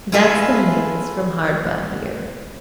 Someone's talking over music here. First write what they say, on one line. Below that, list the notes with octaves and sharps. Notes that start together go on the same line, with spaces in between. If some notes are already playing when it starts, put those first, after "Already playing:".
"That's the maids from hard by here."
E4 F4 G#4 A4 B4